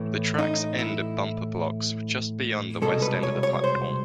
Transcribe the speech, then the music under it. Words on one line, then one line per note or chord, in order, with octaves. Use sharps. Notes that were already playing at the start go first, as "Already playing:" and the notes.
The tracks end at bumper blocks just beyond the west end of the platform.
Already playing: A2 E3 A3 E4
D#4
E4
C2 B2 G#3 A4
B4
C#5
C#5
C5